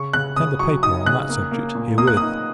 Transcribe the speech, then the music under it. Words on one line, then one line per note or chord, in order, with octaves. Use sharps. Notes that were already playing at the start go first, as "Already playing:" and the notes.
I send a paper on that subject, herewith.
Already playing: C#3 C#6
C#3 F#6
C#3 D#6
F#3 C#6
D#4 D#6
C#3 F#6
A#3
A#3
A#2
A#3 D#6
F#6
D#4 D#6